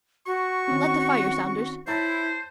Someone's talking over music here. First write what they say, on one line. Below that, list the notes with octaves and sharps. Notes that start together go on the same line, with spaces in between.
Light the fire, Saunders.
F#4 C#6
D#3 C4 C#4
E4 C5 C#5 A5 A6